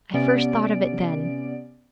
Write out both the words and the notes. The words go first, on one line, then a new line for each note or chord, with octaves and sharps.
I first thought of it then.
C3 B3 C#4 D5 D7